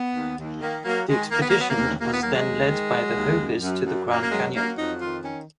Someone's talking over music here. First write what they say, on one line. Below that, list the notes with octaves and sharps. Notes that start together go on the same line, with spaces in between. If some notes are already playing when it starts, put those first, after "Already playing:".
The expedition was then led by the Hopis to the Grand Canyon.
Already playing: B3
D#2
D#2
D#3 A#3
F#3 A#3
D#3 G#3
D#3 A#3
B3
F#3 A#3
B3
A#3
D#2
D#2 A#3
B3
F#3 A#3
G#3
D#2
D#3
F#3
D#2
F#2
F#2
F#2
F#2 A#3
A#3
F#3 G#3
F#3 A#3
F2 D#4
D#3 F4
D#3 C#4